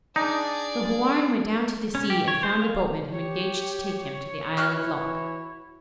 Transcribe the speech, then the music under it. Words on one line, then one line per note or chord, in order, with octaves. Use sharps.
So Houarn went down to the sea, and found a boatman who engaged to take him to the isle of Lok.
D4 D#4 G#4 D5
C#4
G4
C#5
C5
F5
G4 C#5
E3 E4 F#4 F6 F#6